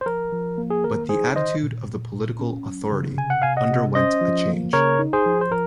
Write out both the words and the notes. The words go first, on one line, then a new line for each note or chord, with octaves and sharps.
But the attitude of the political authority underwent a change.
C5
F3 A#4
F3
A#3
G#4
D#3 A#4
D#4 G#4 C5
D#3 C5 D#5
A#2
A#2
A#2
C#4
F#3
C#3
C3 G#5
F#5
C3 F5 G#5
D#5 F#5
C3
C#4 C5 D#5
F3
A#3
C#3 A#4 C#5
D#4
G#4 C5
F3
C5
F3 A#4